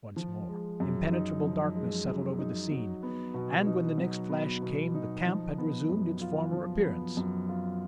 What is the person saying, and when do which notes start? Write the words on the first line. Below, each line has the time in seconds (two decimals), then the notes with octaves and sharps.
Once more, impenetrable darkness settled over the scene, and, when the next flash came the camp had resumed its former appearance.
0.16 F3
0.48 G#3
0.80 F#2
1.12 D#4
1.43 F3
1.75 G#3
2.06 F#2
2.38 D#4
2.71 F#3
3.03 B3
3.34 B2
3.66 D#4
3.98 F#3
4.30 B3
4.62 B2
4.95 D#4
5.26 F3
5.58 B3
5.89 F#2
6.21 F4
6.53 F3
6.85 B3
7.17 F#2
7.49 F4